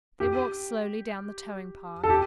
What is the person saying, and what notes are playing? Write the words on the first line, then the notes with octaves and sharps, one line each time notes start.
They walked slowly down the towing-path.
G4
A4
G4